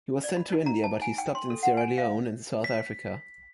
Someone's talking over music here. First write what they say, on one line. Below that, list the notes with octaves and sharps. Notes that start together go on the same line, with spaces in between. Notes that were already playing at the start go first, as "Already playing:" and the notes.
He was sent to India but he stopped in Sierra Leone and South Africa.
D5
B5
D#4
A#5
A5
G#5
G5
C6
A4
F#5
G#5
F5
B6